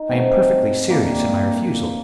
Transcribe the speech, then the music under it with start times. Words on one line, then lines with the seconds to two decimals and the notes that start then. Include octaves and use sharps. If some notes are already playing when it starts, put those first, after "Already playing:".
I am perfectly serious in my refusal.
Already playing: D#4
0.09 C#3 F#3 A3 C4
0.88 D3 G3 A#3